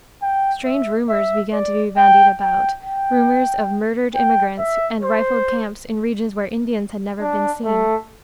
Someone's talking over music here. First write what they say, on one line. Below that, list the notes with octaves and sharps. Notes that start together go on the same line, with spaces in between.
Strange rumours began to be bandied about--rumours of murdered immigrants and rifled camps in regions where Indians had never been seen.
G5
E5
E5
D5
G5
G5
G5
G5
E5
C5
D4
A3